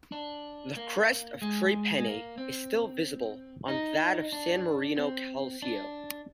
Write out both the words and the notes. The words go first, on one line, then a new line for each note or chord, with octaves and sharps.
The crest of Tre Penne is still visible on that of San Marino Calcio.
D4
A#3
G#3
G#3
A#3
C4
D#4
D4
C4
D4